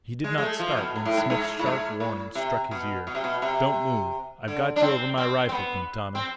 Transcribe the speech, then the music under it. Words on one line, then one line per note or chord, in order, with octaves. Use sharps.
He did not start when Smith's sharp warning struck his ear: "Don't move! I've got you over my rifle, Quintana!"
G#3
G#3
A3
F3
C3
B2
G#2
A2
G#2
G#2
A2
G#2
A2
C3
B2
B2
C3
B2
C3
D3
D4
C4
C4
C4
B3
C4